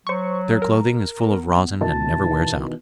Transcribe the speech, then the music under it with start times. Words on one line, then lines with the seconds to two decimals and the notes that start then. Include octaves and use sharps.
Their clothing is full of rosin and never wears out.
0.07 F#3 C5 C#6
0.62 A#4
1.26 B3
1.81 B2 D#3 E3 A5